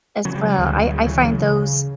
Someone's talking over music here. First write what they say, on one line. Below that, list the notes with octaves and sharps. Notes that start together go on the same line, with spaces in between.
As well, I I find those
C#3 F#3
G3
F#3
D2 G3
F#3
G3
F#3
C#3
G3
E3 F#3
C#3